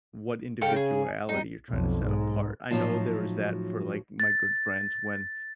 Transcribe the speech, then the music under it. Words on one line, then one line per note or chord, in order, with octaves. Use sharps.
what individuality you're trying to set apart. I know there is that for, like, my good friends when
C#3 A4 F5 G5
G#4
F2 B2 G3 D#4
B1 F2
G#2
A2 F3 F#3 D#4 F4 A5
A6